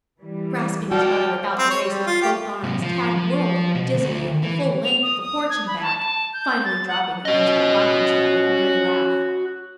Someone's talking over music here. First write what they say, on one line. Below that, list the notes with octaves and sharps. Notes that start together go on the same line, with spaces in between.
Grasping his mother about the waist with both arms, Tad whirled her dizzily, the full length of the porch and back, finally dropping her into a rocking chair with a merry laugh.
E3 G3
F#4 D5 G5 A5 F6
C4
C#5
G3
F4
G4
G#2 C3
F3
F3
B2
D2
E3
F7
D#6
D#6
G#6
B5
A5
A5
G6
A6
F#5
C#4 F#4 D#5